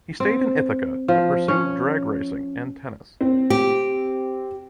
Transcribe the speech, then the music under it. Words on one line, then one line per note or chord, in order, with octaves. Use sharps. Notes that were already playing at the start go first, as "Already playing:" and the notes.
He stayed in Ithaca to pursue drag racing and tennis.
C4
F3
C#4
C4
G4